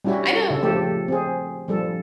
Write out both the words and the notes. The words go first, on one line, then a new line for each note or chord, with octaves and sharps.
I know
G3 C#4 E4 F#4 G4
C#3 A4
F3 A3 G4 A4
C4 G#4
F3 G3 A4